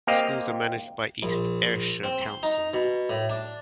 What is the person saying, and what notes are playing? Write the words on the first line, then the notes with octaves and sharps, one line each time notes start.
The schools are managed by East Ayrshire Council.
A#3 C4 G4 D#5 F5
A#1
C4
C6
D#4
B2
A2
D4